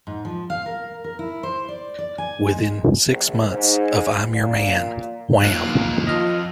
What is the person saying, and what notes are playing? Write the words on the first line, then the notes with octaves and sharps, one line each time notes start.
Within six months of "I'm Your Man", Wham!
G#2
F3
F5
A#4
A#4
E4
C5
D5
D5
G#5
G#3
A#1
G#2
A#2
D#2 G3 A#3 F4 F#6
B1 F3
F2 F4 D#5 F6